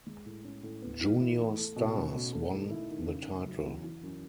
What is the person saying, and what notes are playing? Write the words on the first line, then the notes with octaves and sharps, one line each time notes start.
Junior Stars won the title.
G#3
A2
C#4
A2
B3
E3
E4
E3
A3
B2
C#4
B2
A3
D#3
E4
D#3
C#3
C#4
F#3
E2
E3
F#2